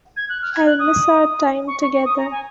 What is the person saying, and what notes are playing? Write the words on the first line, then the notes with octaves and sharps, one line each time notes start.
I will miss our time together.
G#6
F#6
F6
G#6
F#6
D#6
C#6
C#6
C#6
D#6
A#5
G#5